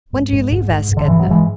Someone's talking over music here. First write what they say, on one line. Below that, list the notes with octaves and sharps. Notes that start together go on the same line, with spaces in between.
"When do you leave?" asked Edna.
G#2
G#2
G#2
G#2
G#2
D3
G#2 E3
F#3
G#2 E3 G#3